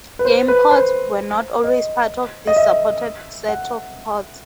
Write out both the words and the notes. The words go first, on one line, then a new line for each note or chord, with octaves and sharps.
Game ports were not always part of this supported set of ports.
B4
C5
B4
C5
D#5
D#5
E5
F#5